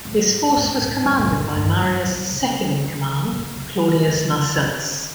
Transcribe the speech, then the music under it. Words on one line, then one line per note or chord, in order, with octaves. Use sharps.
This force was commanded by Marius's second-in-command, Claudius Marcelus.
G#2
G#2
A#2
G2
A#2
A#2
G2
G2
G2
A#2
C3
D#3
D#3
D#3
A#2
C3
D3
D#3
D#3